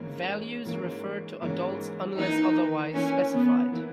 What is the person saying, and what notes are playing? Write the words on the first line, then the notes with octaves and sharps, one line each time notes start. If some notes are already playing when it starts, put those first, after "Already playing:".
Values refer to adults unless otherwise specified.
Already playing: G#2 E3 A#3 C#4
G#2 E3 A#3 C#4
G#2 E3 A#3 C#4
E3 A#3 D#4 E4 B4
E3 A#3 C#4 E4 B4
B3
E3 A#3 E4 B4